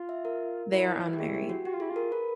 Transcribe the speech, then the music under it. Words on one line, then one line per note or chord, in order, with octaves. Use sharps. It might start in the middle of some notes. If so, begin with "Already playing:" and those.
They are unmarried.
Already playing: F4
E5
A#4
E4
G4
G#4
G4
F#4
F#4 G4
F4
E4 G#4
F4
A#4
A#4 B4